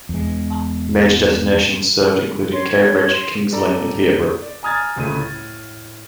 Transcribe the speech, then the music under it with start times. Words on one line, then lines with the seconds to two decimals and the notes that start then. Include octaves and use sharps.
Major destinations served included Cambridge, King's Lynn and Peterborough.
0.09 E2 G#3
2.52 C#5 C6
2.71 G#6
3.12 C6
3.52 A4 D5 A#5
4.42 D5
4.63 G#5 A#5 D#6 F6 G#6 A6
4.96 D1 C#2 C#3 A3 D#7
5.17 A2 A6